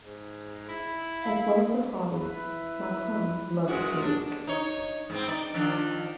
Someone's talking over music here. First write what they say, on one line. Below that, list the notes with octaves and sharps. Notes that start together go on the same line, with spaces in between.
As one of her hobbies, Noxon loves to bake.
G#2
E4
F5
E4 B4 E5
F#2 G#3 F#4
D4
D#4 C#5
G#2 C4
D#4 D5
D#3 F3 D4